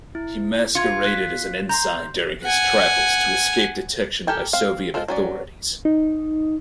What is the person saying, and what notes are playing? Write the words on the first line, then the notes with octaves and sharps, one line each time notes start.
He masqueraded as an ensign during his travels to escape detection by Soviet authorities.
E4
F4 C6 G#6 C#7
F#6 B6
A#5 C6 G6
F#5 G#5
G4 A4 A#4 G5 G#5
C4 F5
G#3 C4 F4 A4
F#3 C#4 D5
D#4